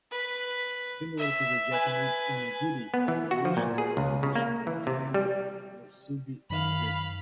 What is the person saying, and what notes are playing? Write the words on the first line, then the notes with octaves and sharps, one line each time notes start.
Similar to the Japanese onigiri, variations on the traditional Spam musubi exist.
B4
E5
B4 G#5
B3
E3
F#4
F3
A#2
G#4
C#2
C#3
A#3
E3
C3
G3
F#2 D#3 F5 B5